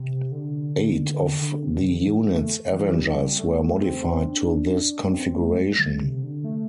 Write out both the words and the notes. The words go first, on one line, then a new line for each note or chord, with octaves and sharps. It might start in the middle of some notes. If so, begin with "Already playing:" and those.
Eight of the unit's Avengers were modified to this configuration.
Already playing: C3
D3
D3
D3
C3
D3
C3
D3
E3
A3
E3
E3
G3
C4
A3
C4
D4
D4
C4
A3
G3
D3
C3
D3
A3